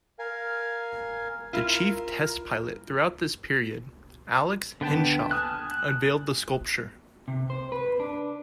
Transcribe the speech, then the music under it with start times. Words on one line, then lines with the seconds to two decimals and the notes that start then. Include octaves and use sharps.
The Chief Test Pilot throughout this period, Alex Henshaw, unveiled the sculpture.
0.19 A#4 F5 G#5
1.53 E4 F4 A#4
4.81 D3 B3 G5 A5
5.31 G#5 A5 D#6 F6 F#6
5.71 F#6
7.28 C3
7.50 C5
7.72 B4
8.00 D4